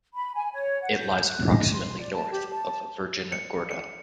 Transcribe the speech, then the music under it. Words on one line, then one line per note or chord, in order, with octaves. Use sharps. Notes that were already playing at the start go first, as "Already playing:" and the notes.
It lies approximately north of Virgin Gorda.
B5
G#5
C#5
F#5
G6
F#6
D#5
C6
D5
A5
G4
A5
C#7
C#7